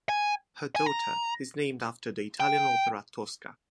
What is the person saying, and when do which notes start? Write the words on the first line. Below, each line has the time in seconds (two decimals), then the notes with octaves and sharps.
Her daughter is named after the Italian opera Tosca.
0.09 G#5
0.76 G#5
0.86 A#5
2.40 G5